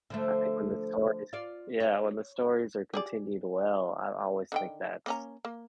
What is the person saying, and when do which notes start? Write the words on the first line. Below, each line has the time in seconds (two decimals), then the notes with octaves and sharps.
I think when the stories Yeah, when the stories are continued well, I always think that's
0.10 D3 F3 A3
1.33 F4 D5
1.80 C#5
2.94 G4 G#4 D5
4.52 D3 D#3 G5
5.06 A#3 C#4 A#5
5.45 A#3